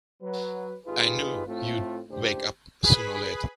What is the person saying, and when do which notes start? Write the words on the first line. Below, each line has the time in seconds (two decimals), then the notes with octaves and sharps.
I knew you'd wake up sooner or later!
0.22 F#3 B4
0.86 G#1 D#4 F4 G4 G#4 B4
1.47 A2 A3 C4 F4
2.09 C#2 A2 A3 D4 G4 C5
2.83 G#4 B4 B5